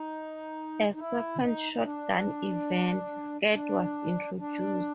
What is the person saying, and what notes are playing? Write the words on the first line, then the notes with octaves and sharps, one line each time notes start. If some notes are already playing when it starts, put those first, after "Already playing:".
A second shotgun event, Skeet, was introduced.
Already playing: D#4
D#4
E4
D#4
D#4
D4
D4
D4